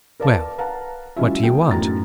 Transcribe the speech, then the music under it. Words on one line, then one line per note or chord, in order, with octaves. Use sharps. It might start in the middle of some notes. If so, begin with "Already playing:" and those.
"Well, what do you want?"
A#4 B4 D5 F5 A5
B4 F5 F#5 A5 A#5
E3 F#3 G#3 C#4 F4 E5
B3 G#4 A4 G5
F#2 A2 E3 D#4 A#5 A6